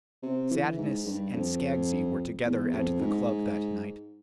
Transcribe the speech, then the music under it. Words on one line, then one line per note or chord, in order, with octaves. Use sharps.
Sadness and Skaggsy were together at the club that night.
C3
E3
G#2
G2
F2
E2
F2
G#2